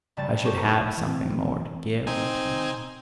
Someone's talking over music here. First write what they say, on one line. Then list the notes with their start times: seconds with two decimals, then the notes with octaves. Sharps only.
I should have something more to give unto you!
0.17 F#1 G3 A5 C#6 A6
0.45 F#4 C5 A5 C#6 D6
0.64 B3 D#4 G4 A4 E5
0.97 E3 C4
2.07 C4 D#4 G#5